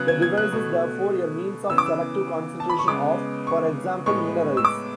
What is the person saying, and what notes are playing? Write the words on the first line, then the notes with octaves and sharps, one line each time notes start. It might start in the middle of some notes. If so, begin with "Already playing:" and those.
The device is therefore a means of selective concentration of, for example, minerals.
Already playing: C#3 F#3 B3 F#6
G#6
G#6
F#6
B2 A3
C#3 E3 B3 E6
D6
E6
A5
B5
C#6
C#3 G#3 B3 D6
C#6
A2 G#3 B3 C#6
E6
D6